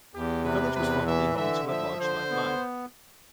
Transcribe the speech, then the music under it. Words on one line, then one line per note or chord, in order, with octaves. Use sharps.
The village was formerly home to a large lead mine.
E2 G4
C3 B4
E2 B4
E3 E5
D3 E5
F3 E5
D3 C5
B3